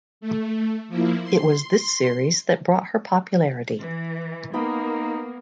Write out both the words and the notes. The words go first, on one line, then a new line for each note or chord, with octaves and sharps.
It was this series that brought her popularity.
A3
F3 A#3 E4
C6
E3
A#3 B3 D#4 G5 B5